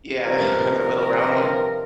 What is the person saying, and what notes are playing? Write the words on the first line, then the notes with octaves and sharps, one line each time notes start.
Yeah, the little round one?
G2 C3 D#3 F3 A#4